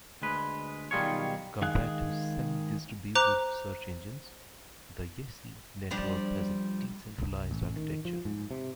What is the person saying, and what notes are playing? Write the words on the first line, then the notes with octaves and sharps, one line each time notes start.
Compared to semi-distributed search engines, the YaCy-network has a decentralised architecture.
D2 G#3 B4
B1 D#3 G3 F4 G#4 C#5
D#3 G#3 G#4 F5 F#6
C5 A#5 D6 F#6
F3 G3 D4
C2
A1
D#3
F3
G#2
C3